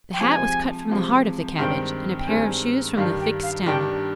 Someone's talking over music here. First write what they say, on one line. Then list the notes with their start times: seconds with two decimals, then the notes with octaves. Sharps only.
The hat was cut from the heart of the cabbage, and a pair of shoes from the thick stem.
0.13 G5
0.20 C3 F3 G#3 G#5
0.89 C3 F3 G#3
1.59 G2 D#3 G#3 C4 G5
2.19 G5
2.27 G2 D#3 G#3 C4 G#5
2.97 G2 D#3 G3 D4 G4 F5
3.20 G5
3.43 F5
3.66 G2 D#3 G3 D4 G4 G5